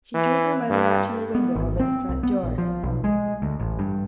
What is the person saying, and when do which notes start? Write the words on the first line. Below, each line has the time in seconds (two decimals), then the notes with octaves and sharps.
She drew her mother out to the window over the front door.
0.14 E3
0.70 G2
1.35 B3
1.56 G#1
1.80 C4
2.09 C2
2.23 B3
2.43 A#1
2.58 F3
2.83 B1
3.04 G#3
3.42 D2
3.60 A1
3.79 G2